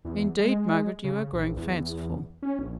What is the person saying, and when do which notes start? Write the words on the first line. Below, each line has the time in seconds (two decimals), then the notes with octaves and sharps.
'Indeed, Margaret, you are growing fanciful!
0.05 E2
0.40 G#3
1.04 C#3
1.33 A#1
1.56 E2
2.42 C#4
2.59 A#1